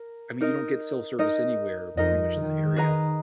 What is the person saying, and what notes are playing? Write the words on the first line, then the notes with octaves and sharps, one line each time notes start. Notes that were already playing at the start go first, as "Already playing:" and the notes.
I mean, you don't get cell service anywhere pretty much in that area.
Already playing: A#4
D#4 A#4 D#5
D#4 A#4 D#5
F2 D#4 A#4 D#5
D#3
G#4 B4 D#5 A#5